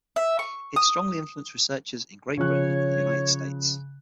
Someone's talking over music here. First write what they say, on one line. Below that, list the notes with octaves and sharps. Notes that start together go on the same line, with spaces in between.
It strongly influenced researchers in Great Britain and the United States.
E5
C#6
D#6
C#3 F3 C#5 F#6